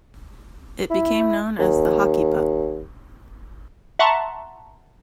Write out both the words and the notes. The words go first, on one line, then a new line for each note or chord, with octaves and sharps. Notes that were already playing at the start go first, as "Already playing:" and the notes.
It became known as "the hockey puck".
E4
D#2
E5 F#5 A5 A#5 C6 C#6